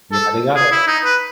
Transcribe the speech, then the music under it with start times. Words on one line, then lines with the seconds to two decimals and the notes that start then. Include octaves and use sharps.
Yeah, they got, like,
0.12 A4
0.56 G#4
0.72 E4
0.87 D#4
1.05 B4